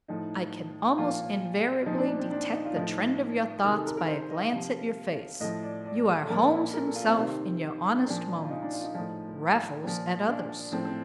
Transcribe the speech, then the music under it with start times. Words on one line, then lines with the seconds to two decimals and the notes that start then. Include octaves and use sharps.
I can almost invariably detect the trend of your thoughts by a glance at your face--you are Holmes himself in your honest moments, Raffles at others.
0.08 A2 F3 D#4
0.98 A#2 F3 F4
1.86 A#2 F3 D#4
1.98 D4
2.08 D4
2.19 C4
2.31 D4
2.53 D#4
2.65 F4
2.75 A2 F3 D#4
3.64 C3 D#3
3.74 A4
3.86 A#4
3.97 A#4
4.07 C5
4.30 D#5
4.40 F5
4.52 C3 F3
5.40 A2 F3 D#5
5.63 D5
5.85 D5
6.22 A4
6.29 A#2 F3 A#4
6.73 A#4
6.85 A4
6.95 F4
7.07 C4
7.17 C3 D#3
7.97 C4
8.06 A#2 F3 D4
8.44 F4
8.50 D#4
8.62 D4
8.74 F4
8.84 D#4
8.94 A2 F3 D#4
9.84 A#2 F3
10.28 D4
10.72 A2 F3 C4
10.85 C4